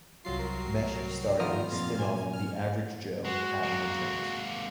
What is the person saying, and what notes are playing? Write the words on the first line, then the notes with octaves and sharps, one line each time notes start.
Mesh starred in the spin-off "The Average Joe - Adam Returns".
C2 F#3 F4 C7
A#4
D#3 F3 A3 B3 F4 D#5 A#5 F6
F2 A#2 F4
F#2 G#5
F6
G#3 F#4
G#3 A#3